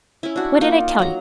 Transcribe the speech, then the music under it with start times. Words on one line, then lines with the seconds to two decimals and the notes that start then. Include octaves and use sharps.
What did I tell you?
0.23 C#4 E4
0.36 D4 F#4
0.61 A#3 D#4 F4
0.99 F#3 A#5